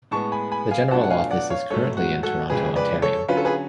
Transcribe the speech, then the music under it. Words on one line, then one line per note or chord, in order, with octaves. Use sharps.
The General Office is currently in Toronto, Ontario.
A2 G#3 B3 A5 C#6
G#5 B5
G#5 B5
F5 G#5
B2 F#3 A3 D4 F4 F#5 A5
F#5
F5 G#5
D5 F#5
C#5 F5
G#2 F#3 A3 A4 C#5
F#4
F#4 A4
F2 C#3 G#3 G#4 B4
B4 D5
A4 C#5
D3 F#3 C#4 F4 B4
A4
G#4 B4